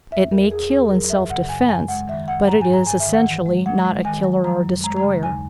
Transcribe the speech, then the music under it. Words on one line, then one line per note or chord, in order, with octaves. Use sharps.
It may kill in self-defense, but it is essentially not a killer or destroyer.
E2 E5
E2 A#4
E2 G#4
E2 G#4
F#3 A#4
F#2 E5
C#3 F#5
F#2 G#5
F#2 G#5
G#3 F#5
D#3 E5
F#2 F#5
G#2 A#5
G#5
G#2
A#5
G#2 G#5
E5
D#3
F#5
E3
G#3
G#3 F#5
G#3
D#3 G#5
F#3
F#3 A#5
F#2
G#3 A#5
A#5
C#3
D#2 G#5